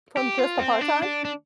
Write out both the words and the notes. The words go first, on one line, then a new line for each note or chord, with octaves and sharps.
From just a part-time? uh
G4
F4
C4
D4
D4
D4